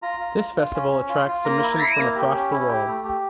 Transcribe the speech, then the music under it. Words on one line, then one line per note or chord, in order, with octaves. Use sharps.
This festival attracts submissions from across the world.
F4 A#5
F4
F4
F4
C#4
C#4
F4
F4
A#3 A#5
E4
E4
A#3
G4
C#4
E4
G4
A3
G4